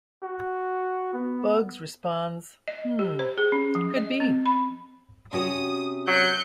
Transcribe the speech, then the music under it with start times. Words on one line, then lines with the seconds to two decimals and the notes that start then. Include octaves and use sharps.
Bugs responds Hmm... Could be!
0.23 F#4
1.13 B3
2.68 D#5
2.99 G4
3.19 C5
3.38 G#4
3.52 C#4
3.75 F3
3.97 D#5
4.20 C4
4.46 B5
5.33 C3 C#4 F#4 D#6
6.07 F#3 F#6 G6 C#7